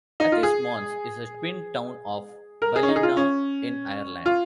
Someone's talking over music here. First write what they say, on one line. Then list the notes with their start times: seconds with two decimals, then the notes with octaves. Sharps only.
Athis-Mons is a twin town of Ballina in Ireland.
0.20 D#4
0.32 F4
0.43 G#4
2.62 A#4
2.76 G#4
2.83 C#4
2.89 D#4
2.96 G#4
3.03 F4
3.17 C#4
4.26 F4